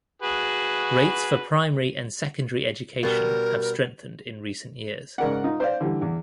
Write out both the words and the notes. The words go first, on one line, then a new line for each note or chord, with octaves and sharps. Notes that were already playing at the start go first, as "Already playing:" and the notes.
Rates for primary and secondary education have strengthened in recent years.
F#4 G#4 B4
B2 G3 A#4
G#2 C#3 A#4 D5 F#5
D#4 F4
C5 D5 F5
D3 E3 G3
E2